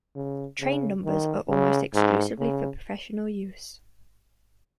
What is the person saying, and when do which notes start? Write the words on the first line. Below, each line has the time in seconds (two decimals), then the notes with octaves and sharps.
Train numbers are almost exclusively for professional use.
0.15 C#3
0.60 C#3
1.05 D#3
1.49 C#3
1.94 G#2
2.38 C#3